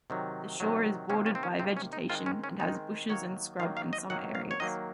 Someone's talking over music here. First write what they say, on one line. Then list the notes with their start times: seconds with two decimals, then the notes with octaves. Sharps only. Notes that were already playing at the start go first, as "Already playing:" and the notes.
The shore is bordered by vegetation and has bushes and scrub in some areas.
0.10 C3 D#3 F#3
0.60 C3 D#3 F#3
1.10 C3 D#3 A#3 C#4
1.26 C#4
1.35 C4
1.43 C#4
1.59 C3 D#3 A#3 C4
1.77 C#4
1.93 D#4
2.10 D#3 G#3 C4 F4
2.26 C#4
2.44 C#4
2.60 D#3 G#3 C4 D#4
3.09 D#3 F#3 A#3 C#5
3.60 D#3 F#3 A#3 F5
3.77 F5
3.93 D#5
4.10 D#3 F#3 A#3 F#5
4.35 F5
4.51 C#5
4.60 D#3 F#3 A#3 D#5